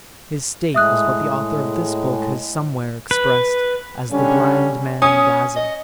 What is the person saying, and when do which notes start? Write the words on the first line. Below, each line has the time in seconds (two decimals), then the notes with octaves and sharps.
His state was what the author of this book has somewhere expressed as the blind man dazzled.
0.75 A2 G#3 E5 D#6 F#6
3.11 B4
4.12 D3 G3 C#4
5.02 C#4 D#6
5.56 D#5